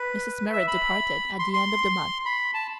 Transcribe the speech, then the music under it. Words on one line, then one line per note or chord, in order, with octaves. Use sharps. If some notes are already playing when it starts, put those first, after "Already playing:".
Mrs. Merrit departed at the end of the month.
Already playing: B4
E5
B5
C6
C6
B5
A5